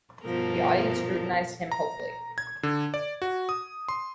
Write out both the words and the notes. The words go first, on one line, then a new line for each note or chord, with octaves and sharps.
The audience scrutinized him hopefully.
G2 B2 F3 A4 A#4
A#5
G#6
D3
D5
F#4
D#6
C6